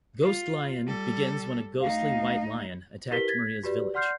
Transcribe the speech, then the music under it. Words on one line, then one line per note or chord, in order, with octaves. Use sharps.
"Ghost Lion" begins when a ghostly White Lion attacked Maria's village.
F4
G3 A4
D2 D#4 F5
E4 G4 A#4 B4 B6 G7
G#6 A6 B6
F#4 G4 B4 D5
D5 F#5 C6 F6 G6 C7